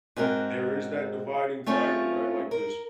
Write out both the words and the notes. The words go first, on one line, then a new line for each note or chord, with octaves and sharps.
there is that dividing factor, right, like, just
G#2 C4 F#4 A#4
A3 C4 C#4 F4
A#4